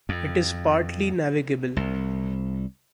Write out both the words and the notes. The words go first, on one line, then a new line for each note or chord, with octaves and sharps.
It is partly navigable.
F2
C2